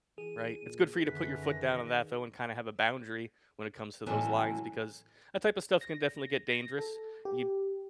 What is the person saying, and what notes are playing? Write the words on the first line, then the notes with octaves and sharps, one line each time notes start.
Right, it's good for you to put your foot down on that, though, and kinda have a boundary when it comes to those lines, because that type of stuff can definitely get dangerous. You
E3 G#4 D#7
A#2
F#2 D3 D#3 B4 B6
D#3 A#6
A2 C#3 E3 F#3 G#3 B3
A#6
A#6
A4
G4